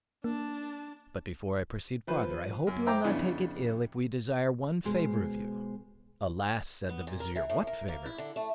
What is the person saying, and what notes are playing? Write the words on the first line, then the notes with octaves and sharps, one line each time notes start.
But before I proceed farther, I hope you will not take it ill if we desire one favour of you." "Alas!" said the vizier, "what favour?
A#3 D4 A5
F3 B4 C5
F#2
C5 E5 G5 A#5 D6
F2 C#3 B3 D4 E4
B2 G#3 C5
B3
A#2
A#4
E3
A2
A#4
A#3
E4
D3
A3